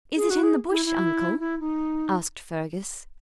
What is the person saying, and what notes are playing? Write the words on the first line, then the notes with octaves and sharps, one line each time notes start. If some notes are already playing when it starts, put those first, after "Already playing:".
"Is it in the Bush, Uncle?" asked Fergus.
G#4
F#4
G#4
E4
E4
E4
D#4